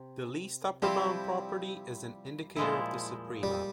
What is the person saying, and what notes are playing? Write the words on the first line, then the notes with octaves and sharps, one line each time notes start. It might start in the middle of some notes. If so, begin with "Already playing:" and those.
The least-upper-bound property is an indicator of the suprema.
Already playing: C3
F3 G3 C4 E4 G4
A#2 F3 G#3 E4
G3